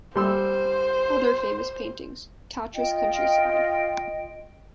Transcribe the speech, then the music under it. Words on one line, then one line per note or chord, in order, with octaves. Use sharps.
Other famous paintings: Tatras countryside.
G3 C5 C6 E6
F4 D#5 G5